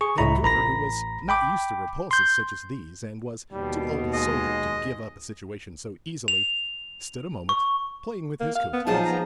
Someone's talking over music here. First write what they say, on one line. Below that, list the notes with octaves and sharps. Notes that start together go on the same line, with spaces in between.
Vancouver, who was not used to repulses such as these, and was too old a soldier to give up a situation so easily, stood a moment playing with his coat tails.
G#4 C#6
C#2 A2 E4 A#5 B5
A1 A#5 B5 A#6
G5 B5 D6
C6 G6
D#2 B2 G3
G#3 D#5
F7
C#6
A#3
F5
B3
A#2 F3 F#3 D#4 F4 G#4 A5
B3 A#5